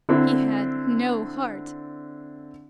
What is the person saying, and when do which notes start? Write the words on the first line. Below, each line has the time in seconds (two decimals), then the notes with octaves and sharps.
He had no heart.
0.09 D3 C4 E4